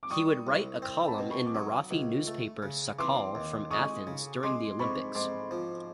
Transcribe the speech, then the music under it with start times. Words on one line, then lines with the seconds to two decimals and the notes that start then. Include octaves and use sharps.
He would write a column in Marathi newspaper Sakal from Athens during the olympics.
0.03 D6
0.10 G3 C#6 D#6
0.47 C2
0.82 C4
1.07 A5 B5
1.18 B2
1.31 B5 C#6
1.46 D6
1.55 F#3 C#6 D#6
1.91 C#2
2.27 A3
2.62 C#3
2.98 E3 C6 D6
3.35 D#2
3.71 G#3 C#6 D#6
4.07 C#3
4.43 G#3 C6 D6
4.79 G#2 B5 C#6
5.15 G#2 C6 D6
5.51 F3